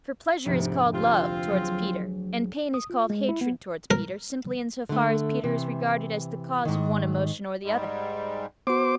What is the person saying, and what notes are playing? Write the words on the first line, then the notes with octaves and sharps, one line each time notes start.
For pleasure is called love towards Peter, and pain is called hatred towards Peter, simply in so far as Peter is regarded as the cause of one emotion or the other.
F1 D2 G#2 C3
C4 F4 G4 B4
F#3 G#4
D#6
F4
G#3
E4
B3
A#4
D3 A3
C3 E3
G#2 D#3
G#2 G3 G#3
B3 F#4 C5 D6